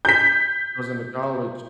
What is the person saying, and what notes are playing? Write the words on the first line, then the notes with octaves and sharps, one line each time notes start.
I was into college,
G6 B6